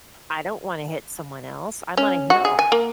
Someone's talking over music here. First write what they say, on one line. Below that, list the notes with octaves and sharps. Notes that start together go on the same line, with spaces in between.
I don't wanna hit someone else, I'm on a hill.
C#4
F#4
G#4
G#5
A#3